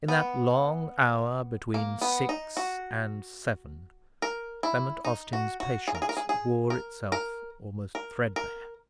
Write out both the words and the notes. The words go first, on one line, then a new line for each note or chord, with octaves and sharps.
In that long hour between six and seven, Clement Austin's patience wore itself almost threadbare.
B3
A#3
B3
D#4
F#4
A#4
E4
D#4
F#4
F#4
G#4
A#4
G#4
A#4
G#4
G#4
A#4
A#4
A#4
A#4